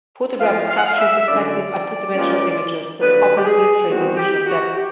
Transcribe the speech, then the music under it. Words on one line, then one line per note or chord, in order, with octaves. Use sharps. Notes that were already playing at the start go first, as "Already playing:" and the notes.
Photographs capturing perspective are two-dimensional images that often illustrate the illusion of depth.
A2 F3 A3 F5
F5
F#5
F5
E5
F#2 D3 F#3 D5
A#2 F3 G#3 C#4
D#2 D3 F#3 B4
G4
G#4
E2 C3 D#3 G3 C4 F#4
G4
F#4
G4